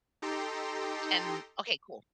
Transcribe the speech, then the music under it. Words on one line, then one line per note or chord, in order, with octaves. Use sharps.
and okay, cool
D#4 G4 A4 G5 A#5 C6